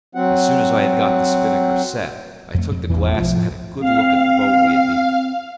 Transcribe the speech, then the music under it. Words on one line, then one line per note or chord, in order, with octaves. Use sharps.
As soon as I had got the spinnaker set, I took the glass and had a good look at the boat we had beaten off.
F#3 C4 F#5
F2 A3
F2
A1 E2 E3
F3
B1
A2
C4 F5